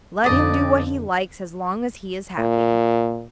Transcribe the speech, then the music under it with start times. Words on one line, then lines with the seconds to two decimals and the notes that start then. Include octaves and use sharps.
Let him do what he likes, as long as he is happy.
0.24 F2 D3 D5 D#5
2.39 A#2